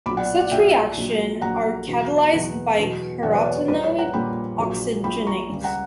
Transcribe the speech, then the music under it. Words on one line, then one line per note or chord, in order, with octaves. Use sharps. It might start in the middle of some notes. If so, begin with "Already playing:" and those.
Such reaction are catalyzed by carotenoid oxygenase.
B1 A#2 F#3 B5 D6
D5 F#5
D5 F#5
B1 A#2 F#3 E5 G5
A#1 A#2 F#3
A#1 A#2 F#3 F#5 A#5
E2 B2 F#3
E2 B2 F#3
E2 B2 F#3
E2 B2 F#3 D5 F#5
B4 D5
C#5
C#5
A#1 A#2 G3 B4 D5
C#5
F#5 A#5
A#1 A#2 G3 G5 B5
A#1 A#2 F#3
A#1 A#2 F#3 G5 B5
A#5 C#6
C#2 C#3 G3
F#5 A#5